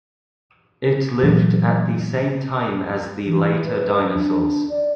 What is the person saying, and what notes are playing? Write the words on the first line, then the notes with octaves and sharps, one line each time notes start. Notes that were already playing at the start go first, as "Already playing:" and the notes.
It lived at the same time as the later dinosaurs.
A#2 E3 F#3 A3
E3
B4
D4
D5